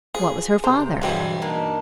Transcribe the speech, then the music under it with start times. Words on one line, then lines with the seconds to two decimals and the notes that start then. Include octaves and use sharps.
"What was her father?"
0.15 F3 G#4
0.64 C3 C5 G5 A#5
1.02 G2 B2 E3 F#3 G#3 C5 G5
1.42 A#3 D4 D#4